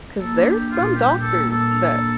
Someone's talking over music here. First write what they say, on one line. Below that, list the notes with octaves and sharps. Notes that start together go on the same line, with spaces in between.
'Cause there's some doctors that
A#3 A4
D4
G4
D4
F4
A#2
G3 G4
A#2
A4
A#3
A4
A#2
D4
A#3